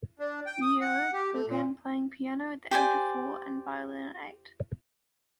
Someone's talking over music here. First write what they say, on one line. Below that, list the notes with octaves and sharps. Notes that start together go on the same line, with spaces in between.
Yeoh began playing piano at the age of four and violin at eight.
D4
G5
D#6
F#5
G4
A3
A#2
G4 C5 D5 G#5